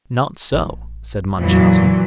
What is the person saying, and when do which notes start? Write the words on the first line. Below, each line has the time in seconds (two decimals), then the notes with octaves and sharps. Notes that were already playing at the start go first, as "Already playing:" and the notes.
"Not so," said Munchausen.
0.53 A1
1.38 F2 A#2 E3 F#3